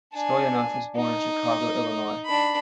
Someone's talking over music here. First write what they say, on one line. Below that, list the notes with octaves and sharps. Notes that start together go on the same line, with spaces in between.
Stoyanov was born in Chicago, Illinois.
D4 G#5
D#4
D4 B5